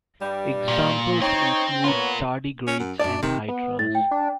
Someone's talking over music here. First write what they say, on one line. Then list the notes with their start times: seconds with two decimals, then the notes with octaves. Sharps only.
Examples include Tardigrades and Hydras.
0.22 G2 G3
0.68 A#2
1.21 C4 D#4 C#5
1.84 B3 F4 A#4 C#5
2.67 C#4
2.79 F#2
3.00 F#2 D4 D5
3.23 C3 D#3
3.48 B3
3.79 A2 A6
3.95 G5
4.11 D4